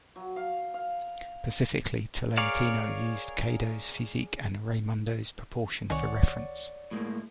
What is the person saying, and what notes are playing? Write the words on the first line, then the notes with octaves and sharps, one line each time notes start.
Specifically, Tolentino used Caedo's physique and Raymundo's proportion for reference.
F#3
F5
F5
G#4 A#4 C#5 D5 F5
C2 D#3 C#5 D5 F#5 G#5
A2 G#3 A#3